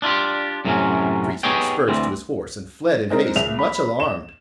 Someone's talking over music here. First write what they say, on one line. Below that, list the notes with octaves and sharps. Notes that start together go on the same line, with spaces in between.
The priest put spurs to his horse and fled in haste, much alarmed.
D4 E4 F4 G4
F#2 A2 C3 F3 F#3 C#4
B3 D#4 G4 G#4 C#5 G5
D2 E3 C4
G#3 C4 D#4 A#4
C#2 E5 F7
B5
E7